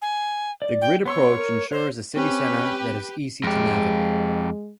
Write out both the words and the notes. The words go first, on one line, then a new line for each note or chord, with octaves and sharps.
The grid approach ensures a city center that is easy to navigate.
G#5
D5
G5
B3 C#5 C6 E6
A#4
C5 C#5
C4 C#4 G4 B4
F2 G#3 G4